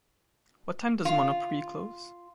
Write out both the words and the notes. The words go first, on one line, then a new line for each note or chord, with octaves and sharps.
What time does Monoprix close?
F4